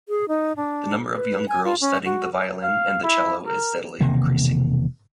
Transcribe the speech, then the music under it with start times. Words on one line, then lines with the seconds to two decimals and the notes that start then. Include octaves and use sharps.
The number of young girls studying the violin and the cello is steadily increasing.
0.09 G#4
0.28 D#4
0.56 D4
1.16 B4
1.49 G#5
1.65 F4
1.81 C#4
2.05 F#4
2.63 F5
3.04 E4
3.46 A#4
4.00 E1 C3 D#3 A#3